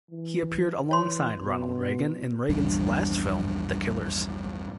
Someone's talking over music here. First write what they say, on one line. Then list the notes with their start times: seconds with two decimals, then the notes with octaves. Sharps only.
He appeared alongside Ronald Reagan in Reagan's last film, "The Killers".
0.11 E3
0.91 E3 C#5 C6
1.44 B2
2.49 A#1 E2 G2 D4